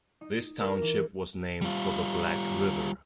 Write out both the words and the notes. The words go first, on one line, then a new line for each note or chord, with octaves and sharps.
This township was named for the Black River.
D#4
A#4
E3
G3 F4